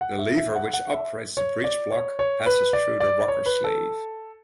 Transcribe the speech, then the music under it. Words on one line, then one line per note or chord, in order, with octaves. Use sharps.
The lever which operates the breech-block passes through the rocker-sleeve.
F#5
E5
E5
F#5
F#5
E5
C#5
D5
C#5
C#5
B4
D5
D5
C#5
B4
A4